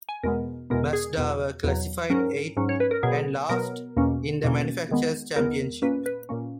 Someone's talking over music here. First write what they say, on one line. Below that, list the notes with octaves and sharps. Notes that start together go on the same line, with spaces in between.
Mazda were classified eighth, and last, in the manufacturer's championship.
G#5
E2 B2 G#3 B3 A#4
E2 B2 G#3 B3 A#4
G#4
E2 B2 F#3
E2 B2 F#3
G#2 F#3 C#4 A#4
G#2 F#3 C#4
C#5
B4
A#4
B2 F#3 B3 G#4
B2 F#3 B3 A#4
E2 B2 A#3 C#4
E2 B2 A#3 C#4
E2 D#3 G#3 B3
E2 D#3 G#3 B3 A#4
A#2 A#3 C#4 B4
B4
A#2 A#3 C#4